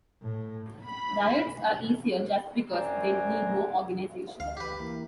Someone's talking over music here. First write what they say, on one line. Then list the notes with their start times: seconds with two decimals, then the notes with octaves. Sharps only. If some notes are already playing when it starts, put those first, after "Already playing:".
Riots are easier just because they need no organization.
0.22 A2
0.85 B5
2.72 F#2 C4 D4 G#5 A#5
4.40 D2 F5
4.57 G4 B4
4.80 E3 A#3